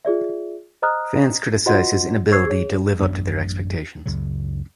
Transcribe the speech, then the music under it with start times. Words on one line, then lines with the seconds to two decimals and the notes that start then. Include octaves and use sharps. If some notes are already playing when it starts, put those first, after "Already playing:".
Fans criticize his inability to live up to their expectations.
0.05 F4 G#4 D5 E5
0.82 C5 D#5 A#5 D#6 F6 F#6
1.66 F4 F#4 C5 D#5 F#5 C6
2.32 C5 C#6 E6 G#6 C7
2.46 G#4 C#5
3.00 A1 F#2 B3 D4
4.06 C#2 F#2 C#3 F#3